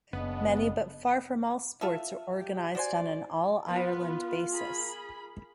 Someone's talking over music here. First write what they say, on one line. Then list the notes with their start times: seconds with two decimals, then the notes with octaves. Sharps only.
Many but far from all sports are organised on an all-Ireland basis.
0.13 F#1 C#3 B3 D4 D#5
1.81 F4 A4 E5
2.39 G4
2.75 F#4 C5 D5 G#5
3.66 B3 F4 B4
4.51 G#4 A#4 B5